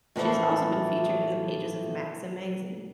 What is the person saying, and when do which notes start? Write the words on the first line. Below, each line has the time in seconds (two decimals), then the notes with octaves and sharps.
She has also been featured in the pages of Maxim magazine.
0.16 A2 E3 F3 A3